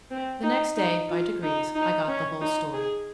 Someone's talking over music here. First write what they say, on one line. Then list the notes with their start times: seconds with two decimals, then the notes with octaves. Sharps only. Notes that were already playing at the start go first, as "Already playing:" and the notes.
The next day, by degrees, I got the whole story.
0.11 C4
0.43 D#4
0.77 D#4
1.09 F4
1.43 D#4
1.75 D#4
2.08 C#4
2.41 D#4
2.74 G#4